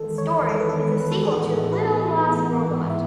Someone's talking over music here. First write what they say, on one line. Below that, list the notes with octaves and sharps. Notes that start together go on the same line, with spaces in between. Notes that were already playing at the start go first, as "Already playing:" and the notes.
The story is a sequel to "Little Lost Robot".
Already playing: E2 D#3 G#3 A4
C#5
A4
B4
A4
B4
A2 E3 B3 D#4 A4
G#4
A4
B4
G#2 E3 G#3 B3
E5